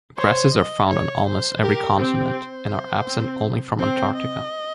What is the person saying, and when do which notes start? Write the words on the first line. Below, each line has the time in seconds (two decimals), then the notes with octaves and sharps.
Grasses are found on almost every continent, and are absent only from Antarctica.
0.17 C5 C#5
0.53 D#5
0.90 C#5
1.26 C5
1.62 G4 A#4
1.98 C4 G4
2.34 C5
3.07 C4
3.79 C4 C5
4.16 D#5